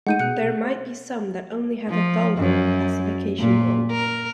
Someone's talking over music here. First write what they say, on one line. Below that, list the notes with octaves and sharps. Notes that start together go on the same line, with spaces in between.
There might be some that only have a vulgar classification goal.
G#3 A3 D#4 F#5 G6 D#7
B2 G#4 F#6 C#7
C5
F3
F#2
A#2
A#4